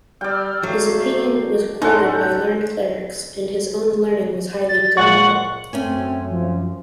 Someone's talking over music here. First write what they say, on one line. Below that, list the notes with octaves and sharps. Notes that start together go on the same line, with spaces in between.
His opinion was quoted by learned clerics, and his own learning was highly commended.
G3 D5 G5 E6 F6
F#3 A3 F5
A2 C#4 D#4 F#4 A4 F#5 C6
G6
A6
A#2 G#3 F#5 C#6
F#2 A3 C4 C#4 G#5
F3